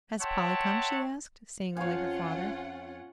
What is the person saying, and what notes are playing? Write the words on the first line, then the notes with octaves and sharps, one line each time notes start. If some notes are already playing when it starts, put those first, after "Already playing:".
"Has Polly come?" she asked, seeing only her father.
C#5 E5 F#5 G5 A5 C6
F2 C#4 F4 C#5 F5 F#5 G#5